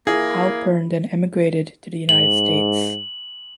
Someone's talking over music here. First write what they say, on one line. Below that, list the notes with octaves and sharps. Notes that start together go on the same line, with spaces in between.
Halpern then emigrated to the United States.
A#3 E4 G#4
G#2 F#7